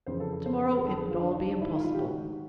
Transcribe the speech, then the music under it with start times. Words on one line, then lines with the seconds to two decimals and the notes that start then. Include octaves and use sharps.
To-morrow it would all be impossible.
0.06 F2 C#3 E3 C5
0.20 A4
0.33 A4
0.46 C5
0.58 C5
0.72 A#4
0.84 F2 D3 A4
0.97 G#4
1.10 F4
1.22 D4
1.33 D#4
1.42 D4
1.61 G#2 D#3 E4
1.75 E4
1.80 F4
1.94 G4
2.00 F#4